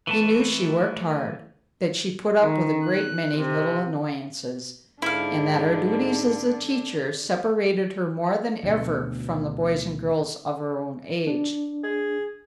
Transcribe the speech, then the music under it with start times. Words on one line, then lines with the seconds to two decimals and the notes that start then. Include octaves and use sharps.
He knew she worked hard, that she put up with a great many little annoyances, and that her duties as a teacher separated her more than ever from the boys and girls of her own age.
0.07 E3 A3 A5
2.38 D#3
2.83 F#6
3.37 C3
5.02 G#2 D3 E4 F5
8.63 D2 B2
11.27 D4
11.84 G#4